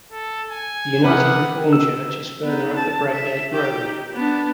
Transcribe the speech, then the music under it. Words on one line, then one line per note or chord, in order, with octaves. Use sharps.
The United Reformed Church is further up Bradgate Road.
A4
G#5
C3 D#3 B4 F#5
E6
B3 D#4
A5
E5
D#4 G4
B3 D4